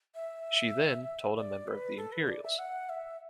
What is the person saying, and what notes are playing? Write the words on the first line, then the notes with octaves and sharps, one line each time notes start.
She then, told a member of The Imperials.
E5
D5
B4
A4
B4
D5
E5
F#5
E5